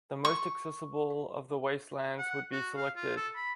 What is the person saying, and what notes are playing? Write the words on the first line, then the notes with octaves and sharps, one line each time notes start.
The most accessible of the wastelands would be selected.
C#6
F#5
F#4
F5
F4
A4
B5